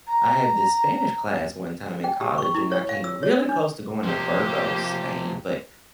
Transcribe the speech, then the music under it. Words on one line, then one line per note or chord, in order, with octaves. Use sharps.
I had this Spanish class one time in college, and I came really close to going to Burgos, Spain. But
A#5
G5
G4
C#6
E4
C#5
F5
E6
C#5
D4
C3 F3 A#3 G4